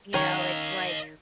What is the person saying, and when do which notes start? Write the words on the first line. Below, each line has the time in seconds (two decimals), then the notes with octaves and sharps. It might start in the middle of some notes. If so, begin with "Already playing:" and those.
you know, it's like
0.14 D#3 C#4 A#4 C#5 D#5 F5 C#6